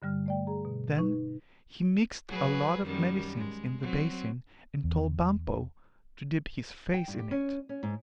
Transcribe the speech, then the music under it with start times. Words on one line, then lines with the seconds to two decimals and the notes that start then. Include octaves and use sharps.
Then he mixed a lot of medicines in the basin and told Bumpo to dip his face in it.
0.02 G2 D3 G3 F6
0.26 A3 D5 G5
0.47 G#4 A#5
0.65 B2
0.98 D#4 B4 C#6
2.29 F#3 G#4 B4
2.85 F#2 D#3 G3
3.34 G#3
3.82 F#3 C4
4.84 E2
6.94 G5
7.08 G2
7.19 G4
7.31 C#4
7.69 C#4
7.83 G#2